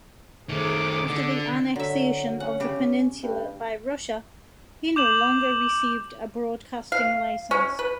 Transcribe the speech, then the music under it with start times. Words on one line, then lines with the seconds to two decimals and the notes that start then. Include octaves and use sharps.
After the annexation of the peninsula by Russia, he no longer received a broadcasting license.
0.49 D#3 A3 G#4 D6
1.07 D3
1.76 D3 F#3 E5
2.40 C#4 F#5
2.60 C#3 G4
3.23 G2
4.96 D6 G6 E7 F#7
6.92 F5
7.51 C#4
7.79 B4